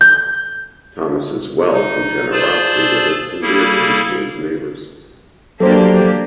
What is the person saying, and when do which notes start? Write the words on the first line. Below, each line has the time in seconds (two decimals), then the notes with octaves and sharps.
Thomas's wealth and generosity with it endeared him to his neighbors.
0.01 G6
1.73 D#4
2.32 F4 G#4 C5 D5 A5 E6
3.41 G3 A#3 E4 G#4 A4
5.60 F#3 A#3 D4 G4 A4 C5